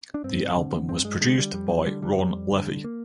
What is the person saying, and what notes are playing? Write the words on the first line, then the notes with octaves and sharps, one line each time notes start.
The album was produced by Ron Levy.
D4
G2 C4
D3
G2 C4
G#3
D3 G#3
G3
F2 G3
F3
D3 G3
G3
F2 G3
D3
A#3